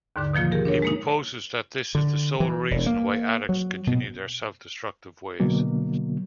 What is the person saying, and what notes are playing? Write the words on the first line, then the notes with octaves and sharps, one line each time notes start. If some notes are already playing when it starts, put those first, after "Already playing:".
He proposes that this is the sole reason why addicts continue their self-destructive ways.
D#2 G#2 D3 D6
B2 D#3 F3 A#3 F4
G4 G#4 A#4
D4 A#4 C#5
G#3 A#3 D#4
D3
E3
E1
A#3
F#3
B2
B2 D3 F#3 A#3